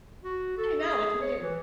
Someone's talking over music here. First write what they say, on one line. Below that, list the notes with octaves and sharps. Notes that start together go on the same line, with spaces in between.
I know, it's weird.
F#4
A4
G#4
C#5
E3